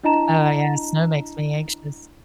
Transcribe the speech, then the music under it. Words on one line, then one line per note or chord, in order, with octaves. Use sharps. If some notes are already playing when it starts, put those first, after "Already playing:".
Oh, yeah, that makes me anxious.
D4 E4 D#5 A5 A#5 E7